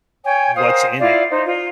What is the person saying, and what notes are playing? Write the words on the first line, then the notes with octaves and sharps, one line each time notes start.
what's in it.
C#5 G5 G#5
A#4 C5 F5 D#6
E4 F4 D5 F5
D#4 C5
F4